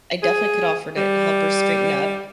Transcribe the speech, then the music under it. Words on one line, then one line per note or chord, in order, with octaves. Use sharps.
I definitely could offer to help her straighten up.
G#4
G3